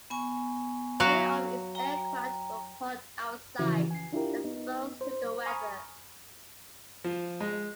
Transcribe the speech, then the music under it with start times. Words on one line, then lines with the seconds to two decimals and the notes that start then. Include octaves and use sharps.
Many of its aircraft were parked outside and exposed to the weather.
0.10 B3 G#5 C#6
1.00 F#3 F#4 F5
1.75 G5 A#5
3.59 C#3 E3 F3 C#4 E4 F#4
3.91 G#5 C7
4.12 D4 E4 F4 G4 A#4
4.44 B3 D#4
5.01 C5
5.46 G#5 A#5 B5 C#6 D#6 F6
7.04 F3
7.40 G#3